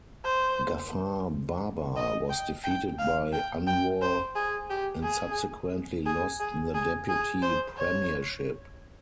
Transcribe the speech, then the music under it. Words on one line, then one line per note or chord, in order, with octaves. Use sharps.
Ghafar Baba was defeated by Anwar and subsequently lost the deputy premiership.
C5
D#5
G5
G5
F5
G5
G5
C5
G#4
G4
G#4
G#4
G#4
G#4
G#4
C5
C#5